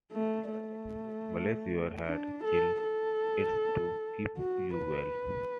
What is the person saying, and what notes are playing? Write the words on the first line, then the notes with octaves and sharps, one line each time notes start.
Bless your heart, child, it's to keep you well.
A3
A3
D4
A4
A4
F#4
B4